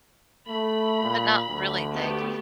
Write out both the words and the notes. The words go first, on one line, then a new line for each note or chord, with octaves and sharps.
but not really thick.
A3 B5
A#2
D2
A3 B3 G4